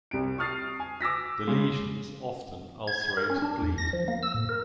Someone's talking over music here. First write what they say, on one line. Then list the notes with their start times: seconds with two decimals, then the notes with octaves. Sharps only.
The lesions often ulcerate and bleed.
0.11 C2 D7
0.38 C#6 D#6 F6 A6 C7
0.80 G#5
1.01 D6 E6 A#6 B6
1.47 C#3 G#3
2.88 G#6
3.01 G#6
3.17 A#4
3.30 C#4
3.42 D4
3.62 E2
3.78 A#6
3.93 F3
4.08 A#3
4.23 E6
4.34 A2
4.49 A#4